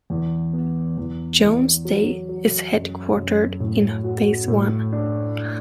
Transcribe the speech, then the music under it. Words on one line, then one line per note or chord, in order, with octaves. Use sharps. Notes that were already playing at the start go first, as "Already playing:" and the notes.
Jones Day is headquartered in Phase I.
E2
B3
E2
E2
F#3
F#3
F#2
F#2
A2
F#4
A2
D4